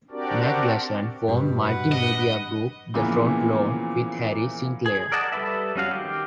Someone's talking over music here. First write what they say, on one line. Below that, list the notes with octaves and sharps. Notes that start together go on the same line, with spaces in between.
McGlashan formed multi-media group The Front Lawn with Harry Sinclair.
C4 D4 F#4 G4 A#4 D5
G2 B2
B4 F#5
D4 D#5
A#2 C#3 E3 F3 A#3 B3
G#4
A#4 D5 D#5 F#5 A5
G3 A4 B4 E5
G3 C#4 F#4 F5
D#3 G4